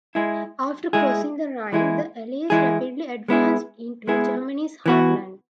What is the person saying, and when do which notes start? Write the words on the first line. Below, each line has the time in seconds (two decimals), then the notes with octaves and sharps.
After crossing the Rhine, the Allies rapidly advanced into Germany's heartland.
0.15 G#3 E4 G#4
0.93 G#3 E4 G#4
1.72 E3 G#3 E4 G#4
2.50 E3 G#3 E4 G#4
3.28 G#3 B3 E4 G#4
4.07 G#3 B3 E4 G#4
4.86 E3 B3 F#4